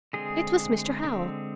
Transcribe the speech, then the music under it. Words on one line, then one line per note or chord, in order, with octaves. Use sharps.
It was Mr. Howell.
D3 G#3 C4 G#4
D3 G#3 C4